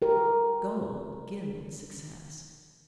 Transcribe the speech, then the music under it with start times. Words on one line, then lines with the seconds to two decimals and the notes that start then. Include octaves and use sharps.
Gold gilds success.
0.02 G4 A#4